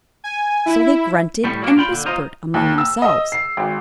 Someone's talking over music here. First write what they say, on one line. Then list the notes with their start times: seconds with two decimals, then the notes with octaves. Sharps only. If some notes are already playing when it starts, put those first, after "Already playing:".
So they grunted and whispered among themselves.
0.24 G#5
0.66 E4
1.44 A2 G3
1.62 F#3 A#3 C#4 D4
1.76 A#2 F4 G5 B5
1.91 A#2 D3
2.06 F4 C5 D#5 A#5
2.54 D#2
2.78 E6
3.02 D#5
3.32 C7
3.57 G#1